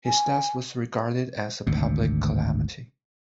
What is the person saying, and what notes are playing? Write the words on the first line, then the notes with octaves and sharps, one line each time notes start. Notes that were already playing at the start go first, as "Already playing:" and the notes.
His death was regarded as a public calamity.
G#5
G#1 D2 C3